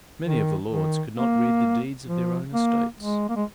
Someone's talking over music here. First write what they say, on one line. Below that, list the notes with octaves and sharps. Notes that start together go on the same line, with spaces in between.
Many of the lords could not read the deeds of their own estates.
D#3
D#3
A#3
F3
A#3
G#3
A#3
G#3